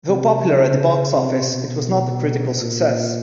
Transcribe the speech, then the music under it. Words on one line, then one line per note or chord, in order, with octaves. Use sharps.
Though popular at the box office, it was not a critical success.
C3
C#3
C3
B2
A#2